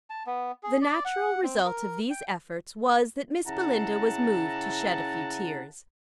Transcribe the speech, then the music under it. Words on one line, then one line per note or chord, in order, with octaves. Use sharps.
The natural result of these efforts was, that Miss Belinda was moved to shed a few tears.
A5
B3
G#4
D5
F#5
C4
A#4
G5
C#3 E4 F#5 A5 A#5